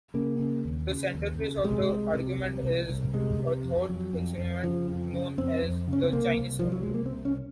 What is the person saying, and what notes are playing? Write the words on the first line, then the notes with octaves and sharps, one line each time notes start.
The centerpiece of the argument is a thought experiment known as the Chinese room.
C#3 A#3
C#3
D#2
C#3
D#2
C#3
C3 G#3
C2
C3
C2
C2
C2
C3 G#3
C3
F2
F2 F#3
F2
F2
C#3 F3
F2
C#3
F2 C4
F2
C#3
C#4
C4
C2 A#3
C2
C2 F3
F#3
C2 G#3
A#3
C4
C3
C#4